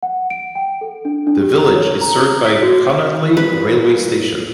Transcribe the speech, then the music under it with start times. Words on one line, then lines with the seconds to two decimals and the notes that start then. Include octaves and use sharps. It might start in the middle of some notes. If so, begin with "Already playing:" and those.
The village is served by Cononley railway station.
0.03 F#5
0.30 D7
0.55 G5
0.81 A4
1.05 D4
1.27 D4
1.42 G4
1.58 A#5
1.76 C#5
2.01 A#5
2.46 B6
2.62 F#4
3.37 A#2 G3 B4